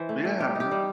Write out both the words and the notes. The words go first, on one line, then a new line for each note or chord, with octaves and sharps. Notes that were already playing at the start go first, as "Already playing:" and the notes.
Yeah, man.
Already playing: E3 C5
A3
A3
G3 G4
D#4 G4
G3